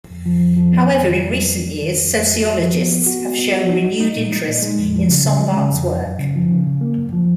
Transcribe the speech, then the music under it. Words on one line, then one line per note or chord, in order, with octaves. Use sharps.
However, in recent years sociologists have shown renewed interest in Sombart's work.
F2
F3
F2
F3
B3
F2
D#3
F2
F2
F2
F2
D#3
F2
F2
F2
F#4
F3
B3
B3
F#4
B3
B3
F#4
D#4
D#4
D#4
A#2
D#4
A#2
G#3
F2
F3
C#3
C#3
G#3
C#3
F2
F2
F#2
C#3
F3
C#3
C#3
A#3
F#2
F3